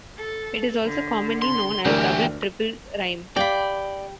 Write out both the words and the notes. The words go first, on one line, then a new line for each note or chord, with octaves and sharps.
It is also commonly known as double triple rhyme.
A4
D3
C6
D2 E3 D4 G4 A#4
G4 D5 F5 G5 B5